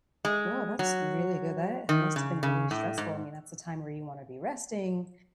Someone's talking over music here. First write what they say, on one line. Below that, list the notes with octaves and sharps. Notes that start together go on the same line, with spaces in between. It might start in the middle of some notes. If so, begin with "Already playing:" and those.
Whoa, that's really good, that ha must've been really stressful, I mean, that's the time where you wanna be resting,
G#3
F#3
D#3
C#3
C#3
A2
G#2